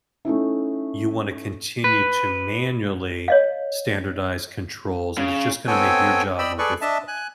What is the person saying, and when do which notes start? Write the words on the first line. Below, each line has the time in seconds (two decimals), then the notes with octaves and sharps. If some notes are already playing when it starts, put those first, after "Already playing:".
you wanna continue to manually standardize controls, but it's just gonna make your job more difficult.
0.25 A3 C#4 D#4 E4
1.84 B4
3.28 C#5 D#5 F5
5.18 C#3
5.67 B3 C4 A4 C#5 G5 G#5
6.38 D5 D#5 G5 B5 E6
6.58 G#4 A4 B4 D5 C#6
6.82 D4 D#5 E5 A5
7.08 G#5 F#6